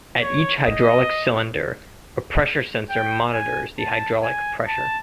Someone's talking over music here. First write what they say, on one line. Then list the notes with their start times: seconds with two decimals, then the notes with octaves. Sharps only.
At each hydraulic cylinder, a pressure sensor monitors the hydraulic pressure.
0.22 C#5
0.67 D#5
2.90 G5
3.34 G#5
3.79 A5
4.23 G#5
4.68 A5